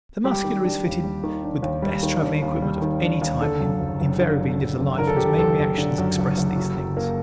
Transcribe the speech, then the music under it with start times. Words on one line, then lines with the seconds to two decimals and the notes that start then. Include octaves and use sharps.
The Muscular is fitted with the best traveling equipment of any type and invariably lives a life whose main reactions express these things.
0.24 G3 G4
0.44 D#3
0.64 D4
0.84 D#2
1.04 G3
1.23 D#3
1.44 D4
1.63 D#2
1.82 G3
2.03 D#3
2.22 D4
2.42 D#2
2.62 G3
2.82 D#3
3.02 D4
3.22 D#2
3.41 D3 A4
3.61 F#2
3.80 F#1
4.00 F#1
4.20 D3
4.40 F#2
4.60 F#1
4.79 F#1
4.98 D3 A#4
5.07 A4
5.17 F#2 G4
5.26 A4
5.38 F#1 A4
5.58 F#1
5.78 D3
5.98 F#2
6.18 F#1
6.37 F#1
6.57 F#3
6.77 F#2
6.97 A#3